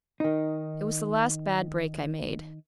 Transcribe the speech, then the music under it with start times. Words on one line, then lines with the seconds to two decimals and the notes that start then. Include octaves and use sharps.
It was the last bad break I made.
0.20 D#3 D#4